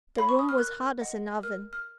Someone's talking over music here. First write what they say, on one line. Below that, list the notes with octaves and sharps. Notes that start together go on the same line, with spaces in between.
The room was hot as an oven.
C#5 F5 B5
C#6
D#6
F6
A#4 F#6
D#5 F#5
A#4 F6
F6